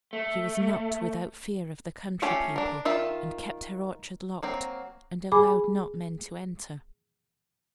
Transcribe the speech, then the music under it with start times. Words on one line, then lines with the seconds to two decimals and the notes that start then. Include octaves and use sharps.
She was not without fear of the country people, and kept her orchard locked, and allowed not men to enter.
0.13 A3
2.22 A3 C#4 F4 G4
2.56 D4 A#4
2.85 D#3 F4 E5
4.43 F#3 A#3 C4
5.32 G#4 G#5 B5 D6